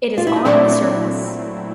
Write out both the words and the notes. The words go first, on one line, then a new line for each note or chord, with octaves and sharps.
It is on the surface.
F4
E4
D#4
A#2 F#3 A3 C4 D4 E4